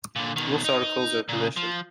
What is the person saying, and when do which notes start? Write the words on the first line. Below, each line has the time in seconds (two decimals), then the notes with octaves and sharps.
Most articles are commissioned.
0.16 A#2 D3
0.36 B2 D#3
0.64 D#4
1.29 A#2 C#3
1.56 F3